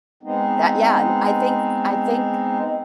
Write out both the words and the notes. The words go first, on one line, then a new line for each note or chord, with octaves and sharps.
that, yeah, and I think I think,
G#3 B3 C4 D#4